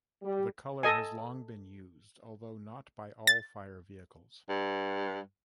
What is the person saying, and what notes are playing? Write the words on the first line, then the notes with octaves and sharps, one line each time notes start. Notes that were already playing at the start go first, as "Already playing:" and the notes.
The colour has long been used, although not by all fire vehicles.
G3
A4 D#5 G#5
A6
G2